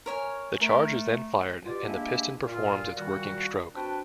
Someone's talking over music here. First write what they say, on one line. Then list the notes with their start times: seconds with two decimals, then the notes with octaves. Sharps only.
The charge is then fired and the piston performs its working stroke.
0.06 A#4 C#5 G#5
0.61 A3 A#4
1.66 B2 F4 G4 D5
1.86 G#3 A#3 D4 E4 G4 E5
2.45 A#2 F4
2.96 A#2 D#3 G3 F#4
3.75 C4 D4 F#4 B4 G5 A5